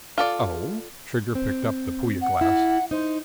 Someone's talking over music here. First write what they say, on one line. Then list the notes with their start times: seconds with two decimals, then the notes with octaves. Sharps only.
"Oh?" Trigger picked up the Puya glass.
0.18 F4 A4 D5
1.35 C4
2.21 F#5
2.41 E4
2.91 D#4 C5